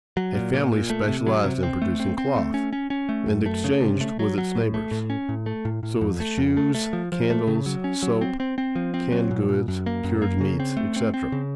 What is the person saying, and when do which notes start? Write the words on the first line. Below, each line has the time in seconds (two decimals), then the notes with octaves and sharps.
A family specialized in producing cloth and exchanged with its neighbors; so with shoes, candles, soap, canned goods, cured meats, etc.
0.17 F#3
0.35 A#2
0.53 A#2
0.72 A#2
0.90 A3
1.08 C3
1.27 F#3
1.44 C3
1.63 C4
1.82 A3
2.00 C4
2.18 C4
2.36 A3
2.54 C#4
2.73 C#4
2.90 C#4
3.09 A3
3.27 F#2
3.46 A3
3.64 C#3
3.82 C3
4.01 A3
4.19 F#3
4.38 F#3
4.55 A2
4.74 A3
4.91 A2
5.10 C#4
5.29 A2
5.46 A3
5.65 A2
5.83 A2
6.01 F2
6.20 A3
6.38 F2
6.57 A3
6.74 A3
6.93 F3
7.12 F3
7.30 A3
7.47 C#3
7.66 F#3
7.84 C#4
8.03 F#3
8.21 C4
8.40 C4
8.58 C4
8.75 F3
8.94 C4
9.12 F#3
9.31 A#2
9.49 A#2
9.68 F#2
9.86 A#3
10.04 F#2
10.22 A#3
10.41 C#3
10.60 C4
10.77 A3
10.96 C4
11.14 C4
11.32 C#3